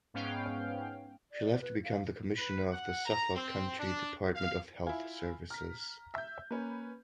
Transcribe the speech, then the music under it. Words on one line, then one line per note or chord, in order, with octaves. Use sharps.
She left to become the commissioner of the Suffolk County Department of Health Services.
G#2 B3 C#4 F5 G5
D5
B4
F5
B4
F#5
A#5
C4
D4
F5
E4 F4 G#5
A#5 F6 B6
E5 G6
A#3 C#4 B4